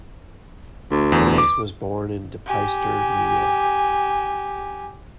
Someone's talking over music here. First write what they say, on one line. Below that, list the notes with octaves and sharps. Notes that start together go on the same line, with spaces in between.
Curtis was born in De Peyster, New York.
D2
E2
D6
G4 G#5